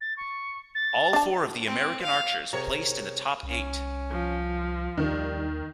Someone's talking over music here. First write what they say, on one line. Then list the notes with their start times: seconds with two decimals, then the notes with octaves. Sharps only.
All four of the American archers placed in the top eight.
0.01 A6
0.17 C#6
0.75 A6
1.13 D4 A5
1.66 C4
2.02 F5
2.53 C3 G#4 A#4 C#5 A#5
3.43 C2 C#4
4.12 F3
4.97 D#2 D#3 G3